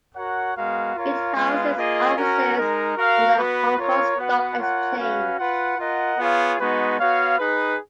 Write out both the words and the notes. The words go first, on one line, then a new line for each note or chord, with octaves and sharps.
It houses offices and the Hong Kong Stock Exchange.
F#4 A#4 C#5 F#5
G#3 B3 F#4 A#4 F5
F4 A#4 C#5 F5
G#3 B3 F4 B4 F5
A#3 F4 G#4 D#5
C#4 F#4 A#4
G#3 D#4 A#4
F#4 A#4 F5
B3 F#4 B4
F4 A#4 C#5 F5
B3 F#4 B4 F#5
F4 A#4 C#5 F#5
C#4 F#4 B4 F5
F4 B4 F#5
F4 A#4 D#5 F#5
B3 F4 G#4 C#5 F5
G#3 B3 D#4 F#4 B4
B3 F#4 C#5 F5
D#4 G#4 B4